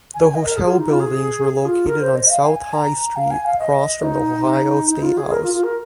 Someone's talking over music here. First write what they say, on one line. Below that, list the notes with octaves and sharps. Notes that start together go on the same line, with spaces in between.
The hotel buildings were located on South High Street across from the Ohio Statehouse.
G#5
G#5
D#5
A#4
G#4
F4
D#4
F4
G#4
G#4
F4
A#4
C5
D#5
F5
G#5
G#5
A#5
F5
G#5
F5
D#5
D#4
D#4
F4
G#4
A#4
F4
F4
A#4